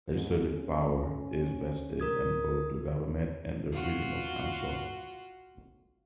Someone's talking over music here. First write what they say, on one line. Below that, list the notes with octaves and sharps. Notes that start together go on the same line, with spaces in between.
Legislative power is vested in both the government and the Regional Council.
G#2
C#4
A#4 D#6 G#6
F4 F#4